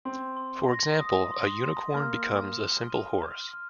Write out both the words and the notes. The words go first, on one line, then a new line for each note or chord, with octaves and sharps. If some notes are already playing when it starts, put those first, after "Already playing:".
For example, a unicorn becomes a simple horse.
C4 C6
C6
A#6
D#6
C6
C6
A#3 F6
F6
G7
D#7
F6
F6